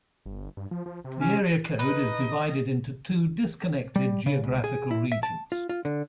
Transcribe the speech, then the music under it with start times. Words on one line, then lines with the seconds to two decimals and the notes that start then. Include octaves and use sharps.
This area code is divided into two disconnected geographical regions.
0.26 G1
0.57 G2
0.71 F3
0.86 F3
1.04 C3
1.21 C#4
1.79 D#4 B4 D#5
3.96 G3
4.26 C#3
4.44 C#2
4.64 G#4
4.91 E4
5.12 E5
5.23 A5
5.52 F4
5.69 F4
5.85 D3